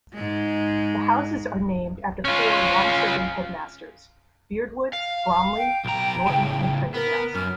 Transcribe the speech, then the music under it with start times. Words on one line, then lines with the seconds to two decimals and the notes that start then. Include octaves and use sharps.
The Houses are named after four long serving Headmasters; Beardwood, Bramley, Norton and Prendergast.
0.14 G#2 G#3
2.25 C#4 F4
4.93 F5
5.56 G5
5.85 B1 A#5
6.27 A2 C#3
6.94 B3 A#4
7.35 F#2 F6